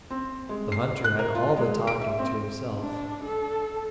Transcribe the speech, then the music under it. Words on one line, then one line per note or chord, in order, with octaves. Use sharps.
The hunter had all the talking to himself.
C4
G#3
C7
F#6
A#4
F4
G#3
D7
E5
C4
D4
A4